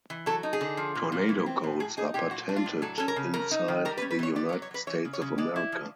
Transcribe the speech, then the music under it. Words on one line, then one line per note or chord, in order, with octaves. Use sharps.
Tornado codes are patented inside the United States of America.
E3
F#3 A4
D#4
G#4
D3
F3
A#2
A#2
E3
C4
A2
F#3 G#4
D#4 G#4
A#2 G4
F#3 F#4
D4
F4
A2
F#3 A4
C#4 A4
A#4
C#3
F#3 A#4
D#4
D#3
G3 A#4
B4
C#4
B4
E3 C#5
B3 D5
C#5
F#3
C#5
F#3 B4
E3 C#5
C#3
C#5
C#3
G#3 D5
E4
F3